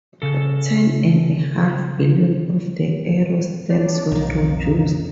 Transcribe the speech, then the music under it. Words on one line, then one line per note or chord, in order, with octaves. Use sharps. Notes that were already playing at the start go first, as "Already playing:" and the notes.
Ten and a half billion of the error stamps were produced.
C#3 A4
D4 C#5 D5
B1 D#3 A#3 D#4
F2